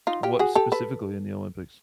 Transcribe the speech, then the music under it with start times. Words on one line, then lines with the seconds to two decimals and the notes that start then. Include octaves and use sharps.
What specifically in the Olympics?
0.07 D#4 F4
0.23 F4 G4
0.39 F#4 G#4
0.55 G4 A4
0.72 A4 B4